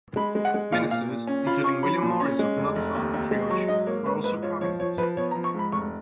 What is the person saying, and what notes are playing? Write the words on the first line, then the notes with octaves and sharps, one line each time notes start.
Ministers, including William Morris of Noddfa, Treorchy were also prominent.
G#3 B5
G#3
F#5
G#3
A#2 F5
A#2 F5
A#2
C#4
F4 B5
C#4 C#6
F#3 B5
A#2
C#4
G#3
F1
F1
D#2
D#2
G#3
F#3 C#6
G#2 D#5
A#3 C#5
G#2 B4
G#2 B4
F4 C#5
F3 C#5
F3 C#5
F3 B4
B3 C#5
A#5
F3
C#6
G#2 B5
F1 C#6